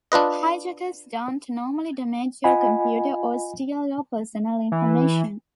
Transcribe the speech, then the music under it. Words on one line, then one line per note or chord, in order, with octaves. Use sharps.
Hijackers don't normally damage your computer or steal your personal information.
D4 F4 B4 D#5
F4 D#5 F#5 G#5 B5
E3